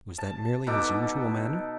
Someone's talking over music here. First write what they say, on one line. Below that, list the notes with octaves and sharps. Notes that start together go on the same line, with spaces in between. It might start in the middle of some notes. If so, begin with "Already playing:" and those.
Was that merely his usual manner?
A5
B2 D#4 A4 D6